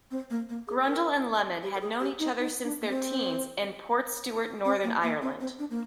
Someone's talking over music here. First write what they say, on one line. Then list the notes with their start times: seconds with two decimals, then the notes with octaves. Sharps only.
Grundle and Lemon had known each other since their teens in Portstewart, Northern Ireland.
0.11 C4
0.30 A#3
0.49 A#3
0.68 G#4
0.87 A#4
1.63 G4
1.75 A#4
1.81 G#4
2.00 G4
2.19 D#4
2.38 D#4
2.64 D4
2.81 A#3
2.89 C4
4.65 C4
4.84 A#3
5.03 A#3
5.22 C4
5.40 C4
5.59 D4
5.70 A#3